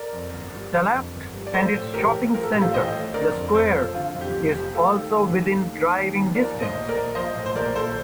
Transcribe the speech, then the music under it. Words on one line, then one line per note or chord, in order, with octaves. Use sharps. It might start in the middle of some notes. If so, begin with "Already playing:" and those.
Tallaght and its shopping centre, The Square, is also within driving distance.
Already playing: A#4 D5
F2
G1
G3
D3
F2
G1
G3
D5
F3 A4 C5
A2
A1 G4 A#4
A3
F3 A#4
A4
A2 G4
F4 A4
A1 C5 D#5
A3
D3 A#4 D5
F2
F1 A4 C5
F3
D3 F4
F2
G4
F1
G4
F3
A3 F4 A4
D#3
D#2
D#2
A3
D#3
D#2
D#2
F3 A#4 D5
A2
C5 D#5
A#1
A#4 D5
A#1
F3 C5 D#5
A2
C5
A#1 A#4 D5
A#1 A4 C5